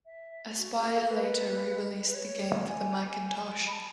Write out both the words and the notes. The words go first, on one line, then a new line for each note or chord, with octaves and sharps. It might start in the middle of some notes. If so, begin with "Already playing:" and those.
Aspyr later re-released the game for the Macintosh.
E5
F#4
G#4
A4
A4
B4
B4
C#5
G#5
B5
A5